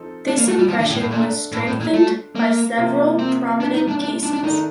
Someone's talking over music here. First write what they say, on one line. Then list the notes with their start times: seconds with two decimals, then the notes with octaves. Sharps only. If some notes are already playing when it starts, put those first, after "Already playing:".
This impression was strengthened by several prominent cases.
Already playing: F3 C4 D#4 A4
0.28 D4
0.38 A#3
0.48 A3
0.59 G3
0.68 F3
0.79 D3
0.89 A2
1.00 A2
1.11 A#2 D3 A3 D4
1.52 A2
1.66 A2
1.80 A#2
1.94 A3
2.35 A#3
2.78 C3 F3 A#3 F4
3.19 C4
3.60 D4
3.74 D#4
3.89 D4
4.02 D4
4.23 D4
4.33 D4
4.44 D#3 A3 D4 D#4